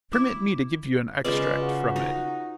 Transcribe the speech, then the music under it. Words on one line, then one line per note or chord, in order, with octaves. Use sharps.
Permit me to give you an extract from it.
E4 D6
C#3 G#3 F4 B4 D5
F#4
D#4 E4